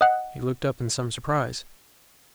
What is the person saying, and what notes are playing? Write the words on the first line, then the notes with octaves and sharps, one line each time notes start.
He looked up in some surprise.
D#5 F#5